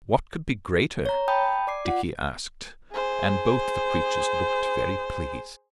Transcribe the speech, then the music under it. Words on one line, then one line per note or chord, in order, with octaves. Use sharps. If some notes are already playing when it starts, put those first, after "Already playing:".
"What could be greater?" Dickie asked, and both the creatures looked very pleased.
C#5 A#5
G5 A5 B5 D#6 G6
D5 D6 C7
F4 F#5
G#4 C5